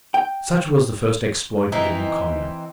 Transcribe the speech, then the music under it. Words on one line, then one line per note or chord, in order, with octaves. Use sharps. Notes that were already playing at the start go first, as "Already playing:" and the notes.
Such was the first exploit of the new Commune.
G5
E3 C4 D#4 E4